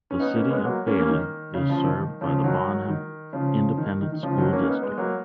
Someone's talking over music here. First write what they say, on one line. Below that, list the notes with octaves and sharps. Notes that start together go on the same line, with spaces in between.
The City of Bailey is served by the Bonham Independent School District.
C#4
B3 D#4
A#3 C#4
G#3 B3
F#3 A#3
A#3 C#4
A#3 C#4
D#3
C#3
C#3 F3
D#3
D#3
C#3 F3
D#3 F#3
D#3
C#3 F3
D#3
D#3
D#3
C#3 F3
D#3 F#3
A#3 C#4
B3 D#4
G#3 B3
F#3 A#3